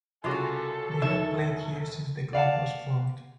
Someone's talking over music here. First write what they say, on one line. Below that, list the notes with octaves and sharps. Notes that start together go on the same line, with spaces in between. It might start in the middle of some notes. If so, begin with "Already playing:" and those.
They have played here since the club was formed.
C2 C#3 F4 F#4 A4 G#5 D6
E1 D#3 C#5 E5
D5 F5 F#5 A5